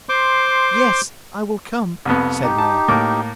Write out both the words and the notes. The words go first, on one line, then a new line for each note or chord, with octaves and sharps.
'Yes, I will come,' said Maia.
C5 C6 D6
C2 F2 B3
D#4 G4
A5
A2 A#3 D6